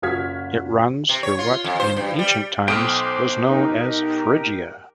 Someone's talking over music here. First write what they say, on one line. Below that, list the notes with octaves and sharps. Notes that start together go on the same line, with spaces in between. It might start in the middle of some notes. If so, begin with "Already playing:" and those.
It runs through what in ancient times was known as Phrygia.
F#1 F4 F#4 F6 G#6 B6
C3
C#5
F4
F2
C5
G2
G3
B1 C5 G5 D6 D#6 F6
D#4 G4 A#4